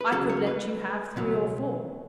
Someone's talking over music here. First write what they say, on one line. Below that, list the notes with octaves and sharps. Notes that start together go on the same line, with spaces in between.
I could let you have three or four.
B4
C#2 C#3 F#3 A4
C#5
B4
C#2 B2 F#3